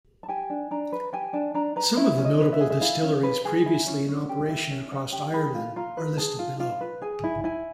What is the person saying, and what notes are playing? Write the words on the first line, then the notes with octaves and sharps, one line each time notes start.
Some of the notable distilleries previously in operation across Ireland are listed below.
A5
G4 G#5
D4
D4 A#5
B4
G4 G#5
D4 A5
D4 A#5
B4 A#5
E4 E5
C#4
D#5
B4
E5
G#4
E5
E4 F5
C#4
B4
G#4
E4
C#4
C#4
G4
E4 E5
C#4
C#4 F#5
G4
G#4 B5
F4
F4 A#5
B4
G#4 A5
F4
F4
B4
G#4 G#5
E4
E4 G#5